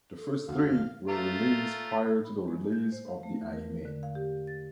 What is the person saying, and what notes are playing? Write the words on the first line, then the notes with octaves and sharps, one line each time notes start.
The first three were released prior to the release of the anime.
A4
F1 D2 F#4 F5 F6
A3 F4 A#5
B5
G#3
G6
C5
F5
A3
E2
A#4
D3
F5
G4
A6